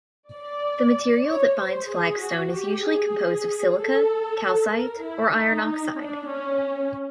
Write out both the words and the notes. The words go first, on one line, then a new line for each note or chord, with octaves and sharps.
The material that binds flagstone is usually composed of silica, calcite, or iron oxide.
D5
C#5
C5
G#4
F#4
G4
G#4
A4
A#4
E4
D#4
D4
C#4